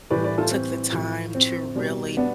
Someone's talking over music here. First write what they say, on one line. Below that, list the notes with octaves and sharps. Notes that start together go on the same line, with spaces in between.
took the time to really
A2 E3 G3 B4 D5
B4 D5
F4 A4
C4
A2 F3
C4
B2 G3
B3 D4